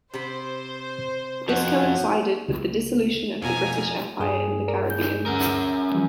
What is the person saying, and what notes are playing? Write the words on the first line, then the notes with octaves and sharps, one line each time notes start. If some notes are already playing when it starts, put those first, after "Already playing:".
This coincided with the dissolution of the British Empire in the Caribbean.
C3 C5 B5
F2 F3 F#4
C#2
F2 B2 F3 G#5 A#5
G2 G#4
A#4 D5
G6
D2 C#4 A#4
E3 F3 G3